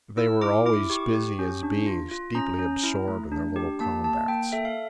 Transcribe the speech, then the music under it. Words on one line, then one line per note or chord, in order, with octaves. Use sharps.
They were always busy as bees, deeply absorbed in their little combats.
E4 E6
E4 D6
E4 D6
G4 C#6
G4
C#4
D4
F4
F4
C#4 A#5
C#4
E4
A3
D4
G4
A#3 A5
A#3 A5
A#3 G5
A4 E5
F5